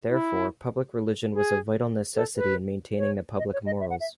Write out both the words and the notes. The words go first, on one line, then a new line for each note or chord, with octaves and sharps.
Therefore, public religion was a vital necessity in maintaining the public morals.
E4
G#4
A4
B4
C#5
D#5
C#5
D#5
E5
F#5
E5